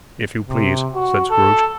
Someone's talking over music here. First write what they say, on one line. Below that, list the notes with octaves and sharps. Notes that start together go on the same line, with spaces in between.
'If you please,' said Scrooge.
C3
F#4
A4